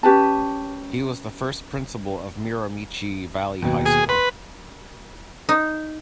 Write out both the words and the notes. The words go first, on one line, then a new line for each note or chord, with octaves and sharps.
He was the first principal of Miramichi Valley High School.
C#4 G4 B4 A5
D#2 B2
G#4
B4 C6
D#4